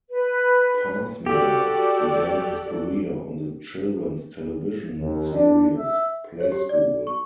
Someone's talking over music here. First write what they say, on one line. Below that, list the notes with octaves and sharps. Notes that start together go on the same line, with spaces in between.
Passmore began his career on the children's television series "Play School".
B4
F#4 G4 A4 D5
D#2
D4
E5
C#5
G4
D5
C#6